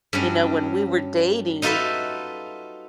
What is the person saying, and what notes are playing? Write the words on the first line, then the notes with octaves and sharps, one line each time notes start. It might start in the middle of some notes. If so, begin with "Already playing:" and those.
you know, when we were dating
G2 F#3 C#4
D#4 F4 F#4 A4 B4 E5